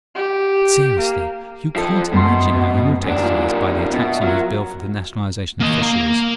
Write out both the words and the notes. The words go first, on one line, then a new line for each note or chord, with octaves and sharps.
But seriously, you can't imagine how irritated he is by the attacks on his Bill for the Nationalisation of Fisheries.
G4
A#3
F3 A4
F#2 B2 A3 C6
F#2 D4
A#3 F4
B2 E5
F#3 F4 A#4
A#3 D#5
A#3 A#5